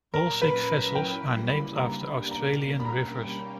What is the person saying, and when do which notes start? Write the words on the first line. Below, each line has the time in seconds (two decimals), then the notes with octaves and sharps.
All six vessels are named after Australian rivers.
0.13 A#2 F#3 C#4 A#4
0.42 B4
0.68 F#3 C#4 E4 B4
0.95 G5
1.22 C#3 G3 A#3 E4 G4
1.49 B5
1.76 A#3 D4 G4 A#5
2.31 B2 A#3 D4 A#4 A#5
2.80 B5
2.84 G3 A#3 C#4 G4 A#5